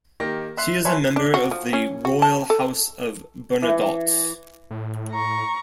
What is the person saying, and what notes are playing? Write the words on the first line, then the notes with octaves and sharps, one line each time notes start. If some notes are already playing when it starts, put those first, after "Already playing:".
She is a member of the Royal House of Bernadotte.
D#3 A#3 G4 A#6
E5 C6 F#6 C7
B4 C#5 E5 G#5 A5 C6
D4
F#4
F3
C#4
F#4
A5
A4
E3
A2
A#5 C#6